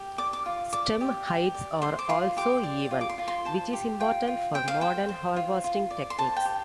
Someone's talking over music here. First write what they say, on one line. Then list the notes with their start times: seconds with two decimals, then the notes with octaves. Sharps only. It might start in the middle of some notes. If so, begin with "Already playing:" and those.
Stem heights are also even, which is important for modern harvesting techniques.
Already playing: G4
0.18 D5 D6
0.33 D6
0.46 F4
0.73 D5 D6
1.01 G4
1.27 G4
1.54 D5
1.82 C5 C6
1.99 D6
2.09 F4 C6
2.37 G4 D6
2.63 D5
2.91 F4
3.01 D6
3.09 C6
3.18 F4
3.28 C6
3.45 C5 A5
3.73 G4
4.00 F4 G5
4.27 F4
4.54 C5 G5
4.68 F5
4.81 C5 G5
5.09 C5
5.36 F4
5.64 F4
5.90 D5
6.10 C6
6.18 C5 A5
6.37 G5
6.46 G4